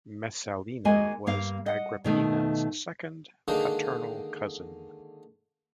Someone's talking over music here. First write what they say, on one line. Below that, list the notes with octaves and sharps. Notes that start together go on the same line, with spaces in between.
Messalina was Agrippina's second paternal cousin.
D#2 G#3 A#3 F#4 D#5 G#5
G2 A#3 F5
D#5 F#5
B2 D#3 A3
D3 D#3 G#3 A#3 D4 D#4